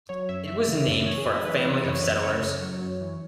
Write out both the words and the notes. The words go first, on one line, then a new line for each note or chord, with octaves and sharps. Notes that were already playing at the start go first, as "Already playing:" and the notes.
It was named for a family of settlers.
F#3 C#5
F#2 E5
F#2 E5
C#3
F#2
E3 C#5
G#4
F#2 B4
E3 B4
E3
F#2 C#5
F#2 B4
C#3 C#5
F#2
F#3
F#2
E3